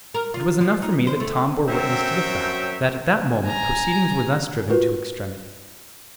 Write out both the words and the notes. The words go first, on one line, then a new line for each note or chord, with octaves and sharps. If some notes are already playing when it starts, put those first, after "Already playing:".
It was enough for me that Tom bore witness to the fact that at that moment proceedings were thus driven to extremity.
A#4
F4
F3
D#4
C5
A3
F#2 F#3 C4 C#5 E5 G5
G#5 A#5
F4 F#4 A#4 B4